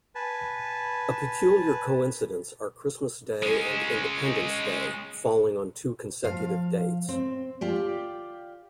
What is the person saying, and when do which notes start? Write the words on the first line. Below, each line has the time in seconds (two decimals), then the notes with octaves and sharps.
A peculiar coincidence are Christmas Day and Independence Day, falling on two consecutive dates.
0.15 B4 G#5 A5
3.43 G#3 C#4
6.24 F3 F5
7.09 C4
7.61 F4 G4 D5